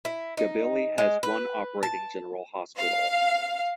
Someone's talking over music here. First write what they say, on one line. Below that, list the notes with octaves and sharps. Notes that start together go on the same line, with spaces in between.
Gabiley has one operating general hospital.
E4
D#4
G#3
B4
A5
F5